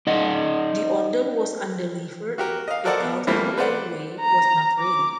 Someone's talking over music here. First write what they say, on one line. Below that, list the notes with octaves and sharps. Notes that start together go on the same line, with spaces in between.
The order was undelivered because the railway was not ready.
D#4 D5 D#5 F#5
F#4 G4 A#4
D#5 F5
F#4 A4 A#4 C5 D5 F#5
B3
E3 G3 A3 A#3 C4 F4
B4 C5 D5 F#5
A#5
D6